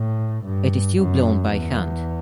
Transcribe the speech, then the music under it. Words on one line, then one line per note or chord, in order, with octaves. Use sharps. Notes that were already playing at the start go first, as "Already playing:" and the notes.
It is still blown by hand.
Already playing: A2
G2
F#2
E2